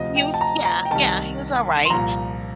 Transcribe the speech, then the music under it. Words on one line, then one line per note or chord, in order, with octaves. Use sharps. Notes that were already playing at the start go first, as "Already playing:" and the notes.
use Yeah, yeah, he was all right.
Already playing: D2 C3 F3 D#5
G5
A5
A#5
A#5
G5
C2 C3 D#3 A5
C6
C2 A#2 F3 A#5